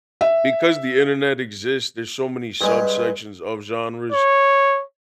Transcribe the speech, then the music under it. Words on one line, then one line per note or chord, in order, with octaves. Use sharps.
because the internet exists, there's so many subsections of genres
E5
G2 G#3 B4
C#5